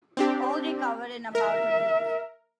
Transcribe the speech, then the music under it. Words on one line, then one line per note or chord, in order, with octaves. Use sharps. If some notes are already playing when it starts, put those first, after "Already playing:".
All recovered in about a week.
C4 D4 G4
A#4 E5